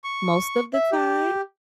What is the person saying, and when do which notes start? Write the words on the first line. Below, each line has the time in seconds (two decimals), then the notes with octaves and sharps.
most of the time
0.04 C#6
0.74 E5
0.92 G4